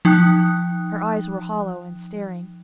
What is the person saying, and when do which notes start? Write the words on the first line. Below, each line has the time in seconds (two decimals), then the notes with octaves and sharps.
Her eyes were hollow and staring.
0.05 F3 D#4 G5 D#6 F#6